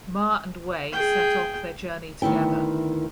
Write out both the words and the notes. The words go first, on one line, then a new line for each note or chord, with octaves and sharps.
Ma and Wei set off their journey together.
G#4 G5
D2 D#3 B3 E4 G5